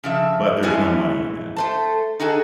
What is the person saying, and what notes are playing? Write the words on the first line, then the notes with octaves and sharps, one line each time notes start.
but there's no money in that."
C#3 F3 E5
F2 E3 G#3 C#4 E4 G#5
A3 C5 A5
D#4 F#4 G#4 A4 G#5